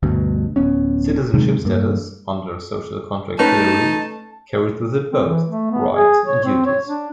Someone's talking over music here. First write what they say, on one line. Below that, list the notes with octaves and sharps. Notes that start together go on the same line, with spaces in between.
Citizenship status, under social contract theory, carries with it both rights and duties.
G1 D2 G2 B2
D1 B3 C#4
F#2 C3 D#3 G#3
G2 A#3
A3 C#4 D#4 B4 A5
C4
E3
A3
B3
G#4
C#5
C4
C#5
D4